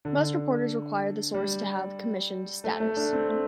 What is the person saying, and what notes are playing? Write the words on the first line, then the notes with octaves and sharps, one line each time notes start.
Most reporters require the source to have "commissioned status".
D3
G3
A3
A3
D4
C4
A3